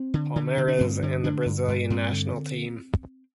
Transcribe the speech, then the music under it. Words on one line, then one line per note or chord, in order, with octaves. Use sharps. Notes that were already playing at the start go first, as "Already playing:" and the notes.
Palmeiras and the Brazilian national team.
Already playing: C4
D3
D3
D3 C4
D4
G2 C4
D3
D3 D4
G2
G2
G2 C4
D3